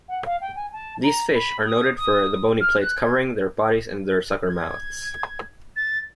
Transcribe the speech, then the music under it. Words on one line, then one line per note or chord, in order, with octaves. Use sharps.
These fish are noted for the bony plates covering their bodies and their suckermouths.
F#5
F5
G5
G#5
A5
A#5
B5
D#6
D#6
F6
F#6
G#6
G#6
A6